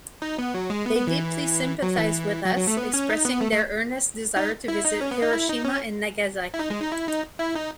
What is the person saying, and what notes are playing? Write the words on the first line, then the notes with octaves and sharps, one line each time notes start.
They deeply sympathized with us, expressing their earnest desire to visit Hiroshima and Nagasaki.
D#4
B3
F#3
G#3
B3
B3
E3
F#3
E3
F#3
F#3
A3
B3
C#4
D#4
B3
A3
A3
D#4
E4
D#4
C#4
B3
D#4
E4
D#4
C#4
E4
D#4
G#3
D#4
E4
D#4
E4
D#4